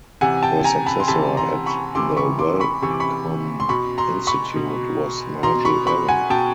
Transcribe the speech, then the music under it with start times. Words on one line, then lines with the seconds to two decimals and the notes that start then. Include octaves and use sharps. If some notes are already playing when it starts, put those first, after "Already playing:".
Her successor at the Wellcome Institute was Nigel Allan.
0.21 C3 E3 F#5 G#5
0.43 G5 A5
0.64 G#5 A#5
0.86 A5 B5
1.00 C6
1.08 C3 E3 A5 B5
1.37 A#5 C6
1.66 B5 C#6
1.95 C3 E3 C6 D6
2.17 B5 C#6
2.39 C6 D6
2.60 B5 C#6
2.82 C3 E3 C#6
2.91 D6
3.00 B5 C#6
3.60 C6
3.69 B2 B5 C#6
3.98 A#5 C6
4.27 B5 C#6
4.56 B2
5.43 B2 A#5 C6
5.65 B5 C#6
5.87 B5 C#6
6.08 F#5 G#5
6.30 B2 G5 A5